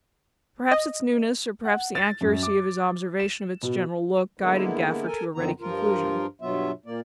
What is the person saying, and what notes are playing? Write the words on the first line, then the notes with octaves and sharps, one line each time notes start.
Perhaps its newness, or perhaps the accuracy of his observation of its general look, guided Gaffer to a ready conclusion.
D#5
F#5
A6
F#2
D6
E7
B2
D3 G#3 A#3 B3 E4
A4 A#4 G#5
F#2 D3 D#3 B3 C4 A#5
G2 F3 F4 A#4
G2 B2 F#3 B3 F4 E5
A#2 A#3 D5